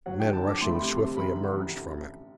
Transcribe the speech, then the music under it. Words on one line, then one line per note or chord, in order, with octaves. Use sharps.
Men rushing swiftly emerged from it.
F#3 F#5
D3 G5
A5
D3 D6
A3 C6
B5
C3 C6
C6
C3
A1 B5
D3
F#5
A1